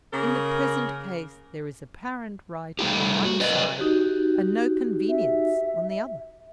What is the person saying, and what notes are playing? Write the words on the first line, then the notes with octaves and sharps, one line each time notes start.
In the present case there is apparent right on one side, and no convenience on the other.
C#3 A#3 A#4
G3 A3 E4 G4
F#4
F#3 B4 D5 D#5
D#4 F#4 G4
E5